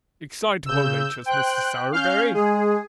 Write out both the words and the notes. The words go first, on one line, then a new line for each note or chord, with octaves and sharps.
Excitable natures, Mrs. Sowerberry!
C#3 E6 G6
C5 G5 F#6
C#4 F5 F6 G6
G#3 G#4